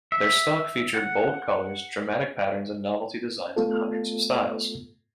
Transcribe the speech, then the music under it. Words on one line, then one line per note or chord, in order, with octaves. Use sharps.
Their stock featured bold colours, dramatic patterns and novelty designs in hundreds of styles.
E5
F#5
A3 B3 F4 A4